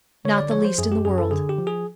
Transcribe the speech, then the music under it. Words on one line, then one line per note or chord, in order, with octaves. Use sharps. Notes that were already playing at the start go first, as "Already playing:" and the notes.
"Not the least in the world."
D3 C#5
D5
F3 C#5
C5
F#2 G#4
G4
F#2 G#4
A4
D3 G#4
G4
F3
G#4